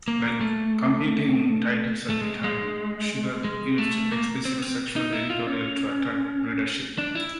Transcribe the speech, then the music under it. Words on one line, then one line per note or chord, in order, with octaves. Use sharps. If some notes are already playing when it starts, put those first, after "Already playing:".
Like competing titles at the time, "Sugar" used explicit sexual editorial to attract readership.
A#3
A3
A3
G#3
G#3
G#3
A3
A#3
C4
B3
C4
D#4
E4
F4
C#4
D4
E4